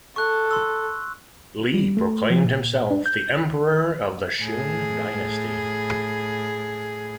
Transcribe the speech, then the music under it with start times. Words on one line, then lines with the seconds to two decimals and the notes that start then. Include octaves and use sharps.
Li proclaimed himself the Emperor of the Shun dynasty.
0.16 A4 C#6 F#6
0.51 C6 E6
1.74 G3
1.97 A3
2.30 F3
2.44 A#2
2.91 D4
3.06 G6
4.41 A2 G#4